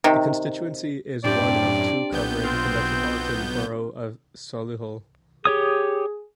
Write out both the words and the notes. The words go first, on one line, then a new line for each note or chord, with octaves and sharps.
The constituency is one of two covering the Metropolitan Borough of Solihull.
C3 D#3
F#2 A2 C4 D4 G4 D5
B1 B3 G6
C4 F4
G4 G#4 C#5 D#6